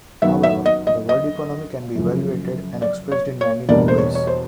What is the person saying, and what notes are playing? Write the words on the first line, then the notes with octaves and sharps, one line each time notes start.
However, the world economy can be evaluated and expressed in many more ways.
F#2 D#3 F#3 B3 E5
E5
D#5
D#5
D#5
F#2 C#3 F3 A3
D5
C#5
C#5
E2 B2 G3 A#3 D4 D5
C5
C#5
C#5
C5